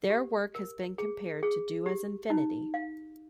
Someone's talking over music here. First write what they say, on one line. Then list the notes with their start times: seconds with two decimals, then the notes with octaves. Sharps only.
Their work has been compared to Do As Infinity.
0.10 G4
0.55 A#4
0.98 G#4
1.43 G#4
1.86 G4
2.30 D#4
2.74 F5